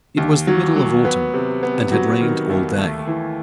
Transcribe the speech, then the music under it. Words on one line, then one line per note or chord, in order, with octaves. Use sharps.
It was the middle of autumn, and had rained all day.
D#2
F#3
F#3
B3
C3
B3
F#3
D#3
D#2
A3
E3